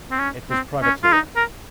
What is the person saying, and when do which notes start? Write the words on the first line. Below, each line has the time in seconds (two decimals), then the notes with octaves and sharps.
It was privately owned.
0.11 C4
0.19 C#4
0.51 C4
0.82 C#4
1.04 F4
1.13 D#4
1.37 A#4